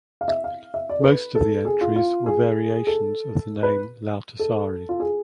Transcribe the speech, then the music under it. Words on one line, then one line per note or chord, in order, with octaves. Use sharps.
Most of the entries were variations of the name Lauttasaari.
F5
E5
F5
E5
D5
A4
B4
A4
G#4
F4
F4
G#4
A4
B4
A4
F4
G#4